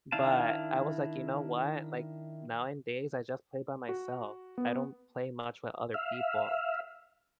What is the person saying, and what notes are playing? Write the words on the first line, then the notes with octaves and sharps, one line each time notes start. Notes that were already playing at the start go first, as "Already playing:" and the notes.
But, I was like, "You know what?" Like, nowadays, I just play by myself. I don't play much with other people,
D#3 D4 E4 F5 A5
F#4
B3
E5 F5